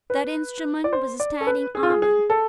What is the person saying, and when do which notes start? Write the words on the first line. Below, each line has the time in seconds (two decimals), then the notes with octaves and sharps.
That instrument was a standing army.
0.10 B4
0.84 D5
0.93 C5
1.20 D5
1.41 A4
1.47 B4
1.75 G#4
1.83 F4
1.90 G#4
2.02 G#4
2.30 A4